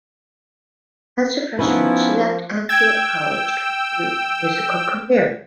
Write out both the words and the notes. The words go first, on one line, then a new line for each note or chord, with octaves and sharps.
As a freshman, she left Antioch College to pursue a musical career.
F3 B3 C#4 D#4 E4 B4
G5 E6 G#6